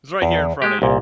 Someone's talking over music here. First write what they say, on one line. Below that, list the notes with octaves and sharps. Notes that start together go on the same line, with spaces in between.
"It's right here in front of you.
E2
G#3 G4
C2 A#2